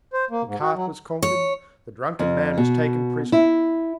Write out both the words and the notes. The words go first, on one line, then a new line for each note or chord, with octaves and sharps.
The cart was conquered, the drunken man was taken prisoner.
C5
A#3
G#2
F#4
F#3
C#5
F2
B2
E4